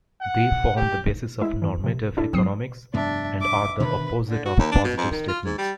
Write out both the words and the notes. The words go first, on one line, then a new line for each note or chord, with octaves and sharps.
They form the basis of normative economics, and are the opposite of positive statements.
F#5
G4
G#3 E4 E5
E2 G#2 E3
C3 F3
D4 E4 A4
F#3 C4 D#6 C7
F1 G2 B3 D4 E5
E5 D6
B2 D3 D#3 B4 B5
D3
F#4
D#2
D4
B2
F2
D#3
F4
G#2
G3